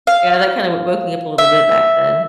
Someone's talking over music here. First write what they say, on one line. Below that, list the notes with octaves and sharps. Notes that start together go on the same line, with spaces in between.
Yeah, that kinda w woke me up a little bit back then.
F5
E5